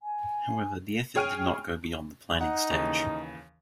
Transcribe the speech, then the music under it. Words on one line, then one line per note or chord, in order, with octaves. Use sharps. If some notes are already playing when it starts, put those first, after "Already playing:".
However, the effort did not go beyond the planning stage.
G#5
G#4 C#5 G5 F6 D7 D#7
D#4 F#5
D#2 C#3 E3